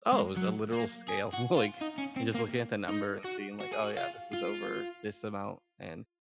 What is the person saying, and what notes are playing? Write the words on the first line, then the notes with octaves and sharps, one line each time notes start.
Oh, it was a literal scale. Like, you're just looking at the number and seeing, like, "Oh, yeah, this is over this amount." And,
G#3
F#3
A#3
G#4
F#4
F4
D#4
C#4
C4
A#3
D#4
F#4
F#4
G#4
F#4
F4
F4